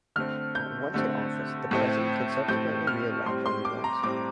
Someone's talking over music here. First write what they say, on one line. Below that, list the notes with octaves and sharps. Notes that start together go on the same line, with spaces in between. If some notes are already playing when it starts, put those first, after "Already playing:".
Once in office, the President can be subsequently re-elected only once.
D3 A3 C4 F6
G6
D3 A3 C4
A2 A3 C4
A2 A3 C4 G6
F6
A2 G3 C4 C6
C6
D6
A#5
A2 G3 C4 D6